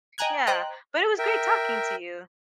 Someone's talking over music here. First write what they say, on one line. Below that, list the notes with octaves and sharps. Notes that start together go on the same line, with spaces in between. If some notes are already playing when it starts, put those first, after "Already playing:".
Yeah, but, it was great talking to you.
D#5 G5 G#5 A#5 F#6 G#6
C5 D#5 G5 A#5 F#6
A#4 E5 G5